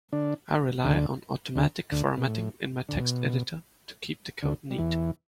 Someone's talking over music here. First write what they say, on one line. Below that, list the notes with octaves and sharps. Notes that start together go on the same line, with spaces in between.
I rely on automatic formatting in my text editor to keep the code neat.
D3 D4
D2 D3
D2 D3
D2 D3
B2
A2
D3
B2
D2 D3
G3
E2 E3